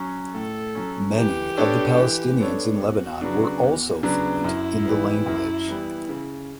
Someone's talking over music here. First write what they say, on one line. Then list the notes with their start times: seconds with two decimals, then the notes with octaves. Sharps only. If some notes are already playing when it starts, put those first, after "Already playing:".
Many of the Palestinians in Lebanon were also fluent in the language.
Already playing: F#3 C#4
0.34 A2 A4
0.75 F#3 C#4
1.16 E3 G4
1.57 B3 D4 A4 C#5
1.98 E3
2.40 B3 D4 A4 C#5
2.80 E2 F#4
3.21 C#3 F#3 B3 D4
3.63 E2
4.03 C#3 F#3 B3 D4
4.44 F#2 E4
4.85 E3 G3 B3
5.26 F#2
5.68 E3 G3 B3
6.09 C#3